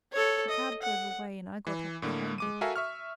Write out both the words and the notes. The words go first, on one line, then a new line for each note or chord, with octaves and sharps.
The cab drove away, and I got up behind it.
A4 C#5
D#5
F#5
E3
A2 D3 A#3
G#3 D6 D#7
F#4 A4 A#4 E5 F5 G#5
E5 C#6 F6